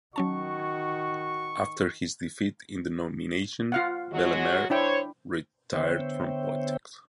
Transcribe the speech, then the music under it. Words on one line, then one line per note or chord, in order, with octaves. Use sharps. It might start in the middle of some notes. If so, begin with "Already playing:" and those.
After his defeat in the nomination, Bellemare retired from politics.
D#3 F#3 C#4 F#4 A5 C#6
F4 F5 F#5
F#3 G#3 F#4
D4 E4 C5 C#5 G5
D3 B3 C5 C#5 E5 G5